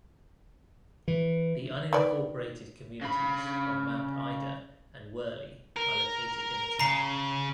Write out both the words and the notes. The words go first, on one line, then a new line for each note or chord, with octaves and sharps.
The unincorporated communities of Mount Ida and Werley are located in the town.
E3
D#3 B4 D5
C#3 B5
A#4
C#3 A#5 C7